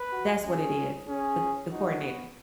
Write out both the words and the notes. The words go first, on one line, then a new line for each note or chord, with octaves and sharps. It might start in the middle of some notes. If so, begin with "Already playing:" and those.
That’s what it is, the the coordinator.
Already playing: B4
F#4
C#4 G#4
C#4 G#4
D#4 F#4
B3